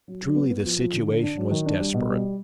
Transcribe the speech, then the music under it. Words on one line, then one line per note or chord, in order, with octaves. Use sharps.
Truly the situation was desperate.
F#3
F#3
B3
B3
F3
F3
D3
D3
D4
F#3
D#3
D4
G3
B2
G3